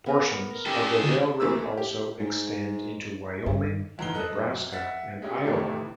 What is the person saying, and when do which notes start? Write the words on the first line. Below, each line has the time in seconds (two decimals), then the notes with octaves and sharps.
Portions of the railroad also extend into Wyoming, Nebraska and Iowa.
0.06 B3 A#4
0.50 A#4
0.66 G#3 C#4 G4 A4
1.03 D3 D5
1.40 A#1 E3 A3 A#3 E6
1.77 G4
2.19 G#2
3.46 G2
3.98 F1 E2 G#2 A#5 C7 G7
4.15 A4 D#5 F#6
4.32 F#2
4.71 E5 F#5 A6 B6
5.22 G#3 C#4 G4
5.45 A2 C3 D#3 E3 A3